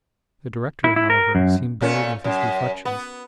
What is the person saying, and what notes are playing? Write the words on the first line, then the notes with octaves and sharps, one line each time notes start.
The director, however, seemed buried with his reflections.
E4
E4
A#4
F#2
A#2 A3 C#4
F#2
B3